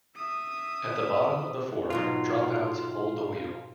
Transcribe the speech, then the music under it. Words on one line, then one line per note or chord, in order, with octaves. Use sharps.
At the bottom of the fork, "dropouts" hold the wheel.
E5 D#6
G#2 B2 F#3 F4